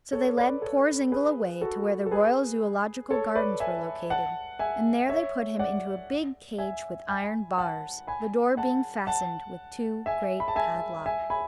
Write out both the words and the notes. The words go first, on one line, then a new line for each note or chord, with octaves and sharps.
So they led poor Zingle away to where the Royal Zoological Gardens were located, and there they put him into a big cage with iron bars, the door being fastened with two great padlocks.
A4 C#5
B4 D5
A4 C#5
G#4 B4
F#4 A4
A4
G#4 B4
A4 C#5
B4 D5
E5 G#5
F#5 A5
E5 G#5
C#5 E5
D5 F#5
E5 G#5
G#5 B5
F#5 A5
G#5 B5
F#5 A5
F#5 A5
E5 G#5
B5
A5
E5 G#5
E5 G#5
G#5 B5